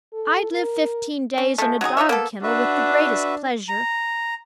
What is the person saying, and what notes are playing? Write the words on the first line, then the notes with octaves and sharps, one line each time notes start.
I'd live fifteen days in a dog-kennel with the greatest pleasure.
A4
A#4
C#4
F3 G#3 A3
F#3 D#4 F#4 G#4
D#4 F4 C#5 E5
A#3 B3 A4
D4 F#4 B4 E5 F#5
A#5